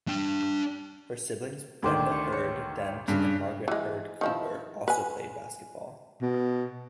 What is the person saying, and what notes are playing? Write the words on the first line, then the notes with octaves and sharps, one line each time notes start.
Her siblings Brenda Heard Dent and Margaret Heard Cooper also played basketball.
D4 G5
D2 D#3 G4 C5 D5
C#6
C#5
G2 C#3
E3 G#3
D#3 F3 E4
B4 G#5
B2